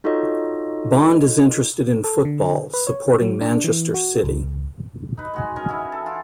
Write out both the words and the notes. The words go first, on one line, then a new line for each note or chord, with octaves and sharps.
Bond is interested in football, supporting Manchester City.
D#4 F4 F#4 A4 C#5 D#5
A4
D3
B4
C#5
F#3
D4
E3
F#4
C#2
D#4 B4
G#3 F#4 G#4
C#4 A#4 D#5
E3 C#4 E4
A4
F4 A5 D6